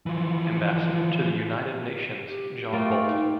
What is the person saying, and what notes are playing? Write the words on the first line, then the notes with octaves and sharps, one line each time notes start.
Ambassador to the United Nations John Bolton.
E3 F3
G4
A3 A#3 F4 G5
D#4